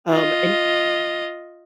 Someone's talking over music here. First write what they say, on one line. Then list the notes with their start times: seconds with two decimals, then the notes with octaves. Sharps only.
Um, and
0.11 F4 D#5